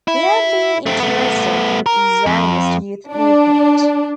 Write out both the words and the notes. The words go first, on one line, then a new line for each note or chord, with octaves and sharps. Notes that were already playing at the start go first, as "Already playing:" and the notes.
He had been interested in the Zionist youth movement.
E4
A3 C4
A3 B3
A#4
F2
D4